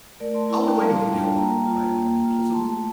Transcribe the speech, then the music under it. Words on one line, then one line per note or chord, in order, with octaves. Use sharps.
"I'll do anything to help her!" cried Allan, impulsively.
A3 A#4 D5
A5 C6
E4 A5 C6
G5 A#5
G3 F5 A5
D4 F4 F5
G5
A5
A#3 G5 A#5
F4
A#3
F4
A3 A5 C6